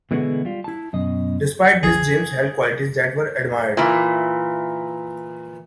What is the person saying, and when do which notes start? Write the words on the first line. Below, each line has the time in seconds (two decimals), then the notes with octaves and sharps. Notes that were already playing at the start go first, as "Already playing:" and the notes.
Despite this, James held qualities that were admired.
0.11 B2 D3 E3 G#3 B3 F#4
0.45 G3 F4
0.64 E4 A5
0.93 F#2 B2 D#5
1.83 A#1 F2 E3 G#4
3.77 A#2 E3